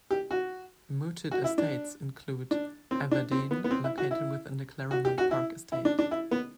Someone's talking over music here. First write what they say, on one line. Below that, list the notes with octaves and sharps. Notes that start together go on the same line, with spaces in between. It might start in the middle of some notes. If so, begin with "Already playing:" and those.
Mooted estates include "Evadene", located within the Claremont Park estate.
G4
F#4
F#4
E4
D4
D4
C4
D4
C4
B3
B3
C4
E4
F#4
E4
F#4
G4
F#4
E4
E4
D4
D4
E4
B3